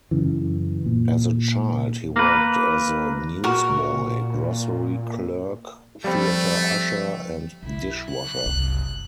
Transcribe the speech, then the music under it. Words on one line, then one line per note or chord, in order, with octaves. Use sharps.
As a child, he worked as a newsboy, grocery clerk, theater usher, and dishwasher.
F#2 C#3 E3
A#2
A#3 B4
A#2 F#4 A#4
F3 G3 A3 C4 B5
B1 E4
F#6
F#1 C2